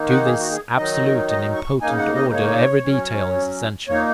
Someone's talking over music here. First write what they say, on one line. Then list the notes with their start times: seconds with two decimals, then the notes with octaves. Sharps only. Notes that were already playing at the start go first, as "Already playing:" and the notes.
To this absolute and impotent order every detail is essential.
Already playing: D#3 A#3 D#4
0.08 F#5
0.25 G#4
0.39 F#4
0.51 G#4
0.77 D#3 F#3 D#4 D#5
1.29 D#5
1.55 C#6
1.81 C#3 A#3 D#4 G#5
1.98 F#5
2.15 D#5
2.33 C#5
2.84 F#3 C#4
3.88 A#2 A#3 D#4 C#5